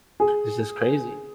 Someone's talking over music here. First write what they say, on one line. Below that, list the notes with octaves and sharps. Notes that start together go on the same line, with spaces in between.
It's just crazy.
G#4